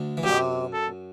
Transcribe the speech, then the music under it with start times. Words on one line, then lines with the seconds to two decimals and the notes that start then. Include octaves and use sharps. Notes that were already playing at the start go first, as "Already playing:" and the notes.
Um, w
Already playing: D2 D3
0.17 E3
0.23 F#2 F#3 G4
0.73 A4